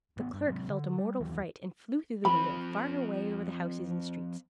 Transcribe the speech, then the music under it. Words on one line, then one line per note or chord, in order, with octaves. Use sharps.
The Clerk felt a mortal fright, and flew through the window, far away over the houses and streets.
A1 B3
G2
C3 F#3 G#3 C4
D3
G3
D#2 E3 F#3
F3 C4 B5